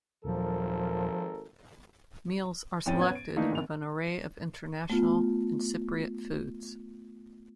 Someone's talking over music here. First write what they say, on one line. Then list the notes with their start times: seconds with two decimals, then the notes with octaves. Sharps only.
Meals are selected of an array of international and Cypriot foods.
0.25 D#1 G#1 A#2 F3 F#3 A4 A#4
2.86 F2 A2 C#4 G5 A6 D#7
3.00 B3 C#4 G#6
3.15 D7
3.36 D#3 E3 A3 A#3 D4 D#4
3.52 G#1 F7
4.90 A3 B3 F4